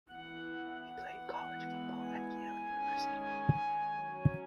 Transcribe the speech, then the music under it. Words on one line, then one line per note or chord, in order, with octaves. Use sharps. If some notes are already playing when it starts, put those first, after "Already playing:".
He played college football at Yale University.
E3 B3 F#5
F#5
E3 G#3 B3
G#5
D#3 G#3 C#4
F#3 C#4